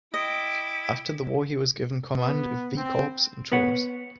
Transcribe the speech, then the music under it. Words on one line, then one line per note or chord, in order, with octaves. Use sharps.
After the war he was given command of V Corps in Tours.
E4 D#5 G5 D6
B3
C4
B3 B4 C#5 F#5